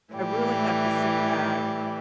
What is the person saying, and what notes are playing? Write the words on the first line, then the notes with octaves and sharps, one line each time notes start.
I really have to sit back,
A2 E3 G3